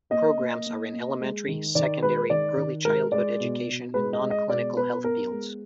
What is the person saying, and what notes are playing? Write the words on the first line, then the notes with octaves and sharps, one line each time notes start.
Programs are in Elementary, Secondary, Early Childhood Education and non-clinical health fields.
A#3 D#5
A#3
A#3
A#3
G#3
D#3
D#3 D5
G#3 B4
D#3 D5
D#3
G#3 A#4
G#3 D5
B2
B2
G#3 B4
D#5
G#3
D#5
B2 D5
B3 B4
B3 A#4
G#3